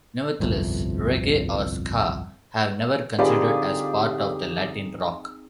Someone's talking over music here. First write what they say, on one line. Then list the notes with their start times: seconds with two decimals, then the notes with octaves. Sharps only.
Nevertheless, Reggae or Ska have never considered as part of the Latin Rock.
0.40 G1 C2 F2
3.19 D3 C4 D#4 F4 G4 G#4 B4 D5